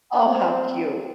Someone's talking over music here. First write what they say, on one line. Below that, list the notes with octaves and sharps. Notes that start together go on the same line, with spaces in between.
Oh, how cute.
C4